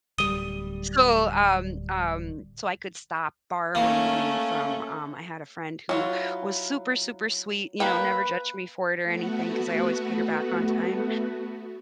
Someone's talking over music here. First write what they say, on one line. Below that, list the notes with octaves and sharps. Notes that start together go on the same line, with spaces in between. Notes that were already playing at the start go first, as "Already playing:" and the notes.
So, um um, so I could stop borrowing money from, um, I had a friend who was super, super sweet, you know, never judged me for it or anything 'cause I always paid her back on time.
D1 G3 D#6 D#7 G7
A3 A#3 C#4
F#3 E4 F4
A#3 B4 G5
A3 B3 F#4